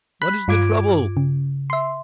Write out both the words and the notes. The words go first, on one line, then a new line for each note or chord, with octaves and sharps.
"What is the trouble?"
B5 F#6 B6
G2 F4 D6 G#6 D7
C#3
E5 C6